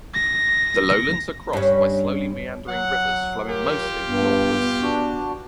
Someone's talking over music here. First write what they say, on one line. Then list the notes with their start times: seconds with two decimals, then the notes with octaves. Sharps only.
The lowlands are crossed by slowly meandering rivers flowing mostly northwards.
0.14 A#6
1.53 G2 C#4
2.68 F#3 F#5
3.47 F4 G4 A#4
4.07 G2 B3
4.82 D4 F#4